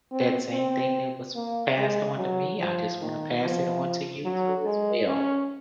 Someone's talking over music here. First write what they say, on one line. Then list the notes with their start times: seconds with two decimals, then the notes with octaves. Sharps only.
that same thing that was passed on to me, I just wanna pass it on to you too as well,
0.11 C4
0.53 C4
1.36 A#3
1.77 G#3
2.17 F#3
2.59 F3
3.01 D#3
3.42 F3
4.25 F#3
4.65 G#3
5.07 C#4